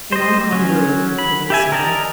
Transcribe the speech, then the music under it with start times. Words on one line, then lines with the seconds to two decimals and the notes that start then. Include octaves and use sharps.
"And I'm hungry," put in Sam.
0.12 C5 D#5
0.52 F#3 C#4
1.19 B5
1.50 G4 E5 G#5
1.72 A#4 D5 D#5 A5 A#5